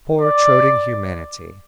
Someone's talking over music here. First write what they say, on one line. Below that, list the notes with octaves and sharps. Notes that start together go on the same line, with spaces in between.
Poor, toadying humanity!
D5